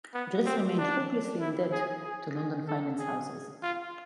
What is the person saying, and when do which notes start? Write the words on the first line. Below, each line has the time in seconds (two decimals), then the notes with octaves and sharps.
Greece remained hopelessly in debt to London finance houses.
0.14 B3
0.46 C4
0.78 D4
1.40 E4
1.72 G#4
2.04 G#4
2.36 G#4
2.68 A4
2.99 G#4
3.62 F4